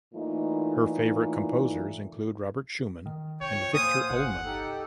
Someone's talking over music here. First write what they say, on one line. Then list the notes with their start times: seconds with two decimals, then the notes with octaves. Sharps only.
Her favourite composers include Robert Schumann and Viktor Ullmann.
0.14 A#2 E3 A3 D#4
3.06 D#3
3.41 C2 F2 C#5 G5
3.74 A#2 C5 F5 G#5 D#6
4.10 G1 C2 F#5
4.43 D#4 G4 A4